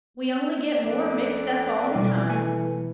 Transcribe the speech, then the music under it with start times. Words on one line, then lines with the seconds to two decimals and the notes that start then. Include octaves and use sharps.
We only get more mixed up all the time.
0.82 F2 D5
1.95 B2 E3 G3
2.30 A3 G#5